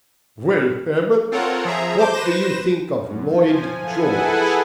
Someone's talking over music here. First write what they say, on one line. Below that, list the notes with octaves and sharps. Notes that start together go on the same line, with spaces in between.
"Well, Herbert, what do you think of Lloyd George?"
C4 F4 A4 A#4 C#5 F#5
F3 G#4 E5 A#5
C5 D6 G6
B4 C5 A#6 E7
F#2
F3 G#5
E4 G#4 A4 B4 F#5 G#5